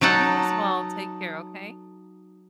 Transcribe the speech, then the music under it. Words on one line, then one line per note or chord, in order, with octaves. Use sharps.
You as well. Take care, okay?
F#3 D#4 A4 F#5